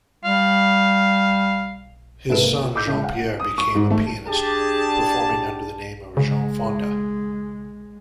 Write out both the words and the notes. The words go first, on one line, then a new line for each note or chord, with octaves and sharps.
His son Jean-Pierre became a pianist performing under the name of Jean Fonda.
G3 F5
G#2 C3 A4 B4 D7 E7
A#3
F4
D#5 D6 E6 G6
C#3 G#3
F5 F#5
D#6
C#6
G#2
A3
D4 G4 G#4 A5
C#3 G#3